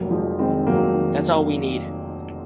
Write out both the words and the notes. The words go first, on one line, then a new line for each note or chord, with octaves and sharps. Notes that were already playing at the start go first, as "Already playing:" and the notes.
That's all we need.
Already playing: F1 F#3 A#3
F2 F3 G#3
D#3 G#3 C4
F1 F#3 A#3
D#3